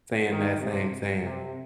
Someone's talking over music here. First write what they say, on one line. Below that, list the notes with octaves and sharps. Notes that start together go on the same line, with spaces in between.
saying that same saying,
D#3
C3
C3